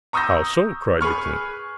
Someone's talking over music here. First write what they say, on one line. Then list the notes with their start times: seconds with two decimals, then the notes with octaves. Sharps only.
"How so?" cried the king.
0.13 A#5 C#6 D#6 E6 G6 A#6
1.01 G#4 B4 C#6 F6